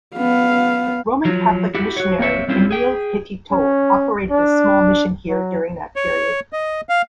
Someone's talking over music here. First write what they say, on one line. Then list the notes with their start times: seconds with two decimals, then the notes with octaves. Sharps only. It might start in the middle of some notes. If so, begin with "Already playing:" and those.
Roman Catholic missionary Emile Petitot operated a small mission here during that period.
0.16 B3 F5
1.25 F3 F#3
1.75 E4 F#4 G4
1.96 F#4 C#5
2.19 A#3 C4 C#5 E5
2.48 G3 C4 C#4 E4 F4
2.71 G#4 G5
3.52 C#4
4.31 D4
5.29 F#3
5.96 C#5
6.53 D#5
6.89 F5